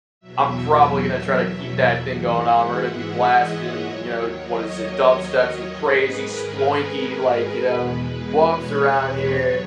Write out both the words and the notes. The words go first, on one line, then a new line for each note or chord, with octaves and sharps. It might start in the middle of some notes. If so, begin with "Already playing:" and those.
I'm probably gonna try to keep that thing going on, we're gonna be blasting, you know, what is it? Dubstep, some crazy sploinky, like, you know, wubs around here.
E2 B2 F#3 E5
E5
E5
G#2 E3 G#3 F#5
E5
D#5
C#5
D#2 D#3 F#3 C#5
D#5
C#5
G#2 D#3 G#3 B4
A#4
A#4
B4
E2 B2 G#3
C#5
C#5
G#2 F#3 C#5